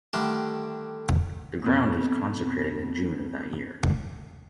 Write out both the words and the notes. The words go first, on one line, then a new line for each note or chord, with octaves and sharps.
The ground was consecrated in June of that year.
D3 D#3 G3 A3 D4
F2 B2